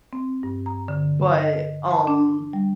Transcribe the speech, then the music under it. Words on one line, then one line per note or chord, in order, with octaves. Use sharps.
but, um,
C4
G2
A#5
D3
D#5
A5
D4
G3